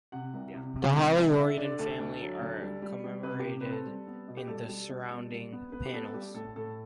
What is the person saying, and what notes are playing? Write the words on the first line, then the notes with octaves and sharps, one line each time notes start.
The Holroyd family are commemorated in the surrounding panels.
C3 F#5
C2
C3
C3
C2
C2
D3 E5
D3 D5
D2 A4
D2
F#3
D2
G3
G3
G3
C3 B4
G4
C3
C4 B4
A4
G3
B3
B2
G4
G3 A4
G3
B2
G3
G3
B3
B3 B4
G4
B3 A4
A4
G3 G4
A2 A4
A2 A4